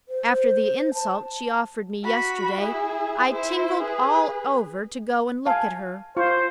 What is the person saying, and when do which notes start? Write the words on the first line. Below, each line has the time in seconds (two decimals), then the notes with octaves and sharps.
After the insult she offered me yesterday, I tingled all over to go and look at her.
0.09 C5
0.94 A5
2.03 F#4 B5
2.61 E4 G#4
3.31 E4 C5
3.82 G#4 B4
5.46 F5 G#5 A5
6.17 F4 C5 F5 C#6